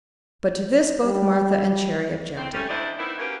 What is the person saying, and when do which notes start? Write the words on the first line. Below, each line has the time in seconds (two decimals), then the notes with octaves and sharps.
But to this both Martha and Cherry objected.
1.05 G3
2.37 A2 C4
2.53 G3 A3 C#4
2.69 D2 D3 E4 C5 D5 D#5
2.99 D#3 B3 C4 E4
3.19 A#3 C#4 F#4 G4 A#4 B4